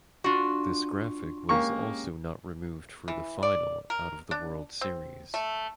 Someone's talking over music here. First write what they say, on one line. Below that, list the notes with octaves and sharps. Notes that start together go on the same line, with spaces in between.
This graphic was also not removed for the final out of the World Series.
D4 F4 F#4
G#3 A#3 C#4 G4 C#6
E3
D5
A#4
D4
C4
A3